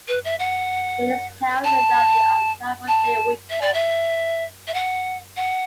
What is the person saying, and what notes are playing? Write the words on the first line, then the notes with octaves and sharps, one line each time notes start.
It is held annually on Labor Day weekend.
B4
E5
F#5
A5
A5
E5
D5
E5
E5
F#5
F#5